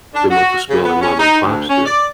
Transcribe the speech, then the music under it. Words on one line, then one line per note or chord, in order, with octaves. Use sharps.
than what the smaller mom-and-pops do.
D4
F#4
C#3
B3
C#4
D#4
D2
C#4
D5